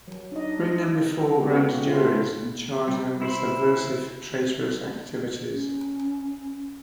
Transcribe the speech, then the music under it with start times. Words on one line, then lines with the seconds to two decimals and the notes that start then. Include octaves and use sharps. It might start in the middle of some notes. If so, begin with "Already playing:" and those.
Bring them before grand juries and charge them with subversive, traitorous activities.
0.08 F#3
0.32 D4 D#4 D#5
1.38 G#3 B3 F#4 G4
1.83 E4 F4 A4 C5
2.88 G3
3.22 E4 C5 E5 B5
5.51 C#4